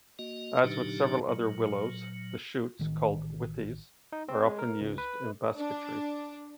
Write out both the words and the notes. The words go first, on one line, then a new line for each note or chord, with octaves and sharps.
As with several other willows, the shoots, called withies, are often used in basketry.
A#3 F#4 D#5
A#2 D3 F#3 D4 D#4 G4
A#2 F#3
A1 D#3
D#4
C4
G#3
A#4
C#2
B4
D4